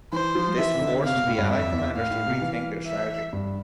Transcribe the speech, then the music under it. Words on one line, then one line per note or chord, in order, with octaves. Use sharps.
This forced the Allied commanders to re-think their strategy.
E3 C5
F3
E3 E5
C3
D3
C3 F5
B2
A2
G2
F2 E5
E2
A2 F5
A2
C3
E3
E5
G2